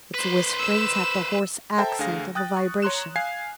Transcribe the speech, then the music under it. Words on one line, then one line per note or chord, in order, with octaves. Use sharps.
Its whisperings had the hoarse accent of a vibration.
B4 C5
E6 E7
A4 C5 E5 G5 A5 A#5
D2 D3 G#4 F5 A#6
G5 D#6 F#6 A6
C#6
C#5 A#5 C6 F#6 E7
F5 G#5 G#6 C7